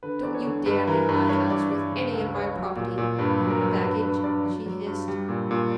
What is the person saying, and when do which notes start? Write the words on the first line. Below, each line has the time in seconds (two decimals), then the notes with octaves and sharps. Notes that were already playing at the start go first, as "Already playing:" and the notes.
"Don't you dare leave my house with any of my property, you baggage," she hissed.
0.03 D3 B4
0.23 E2 D5
0.35 C#5
0.45 D3
0.66 G2 B4
0.87 E3 A#4
1.09 G2 B4
1.29 G2 C#5
1.50 G2 D5
1.71 G2 D5
1.92 C#3
2.13 C#2 B4
2.30 B4
2.34 C#2 C#5
2.56 F#3
2.76 A#2
2.98 A#2
3.19 G2 B4
3.40 F#3
3.50 A#4
3.61 F#3
3.82 G2 B4
4.03 G2 B4
4.24 G2 D5
4.46 F#3
4.66 F#3
4.86 G2
5.08 G3
5.29 A#2
5.51 A#2